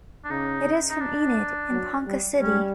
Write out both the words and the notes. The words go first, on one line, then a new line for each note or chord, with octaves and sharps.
It is from Enid and Ponca City.
D4
C#3 D#4
D#4
D4
F#3
G3
G3 C#4